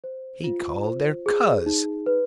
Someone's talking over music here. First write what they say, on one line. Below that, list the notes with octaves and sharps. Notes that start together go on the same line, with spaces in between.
He called her Coz!
C5
F4
C5
G#4
D#4
B4